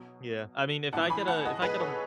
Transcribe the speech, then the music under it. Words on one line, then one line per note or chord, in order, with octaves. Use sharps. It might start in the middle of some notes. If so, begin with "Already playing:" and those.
Yeah. I mean, if I get a if I get, uh,
Already playing: B2 F#3
A2 E3 F#5 A5
G#5 B5
F#5 A5
D#5 F#5
G#4 B4
A4 C#5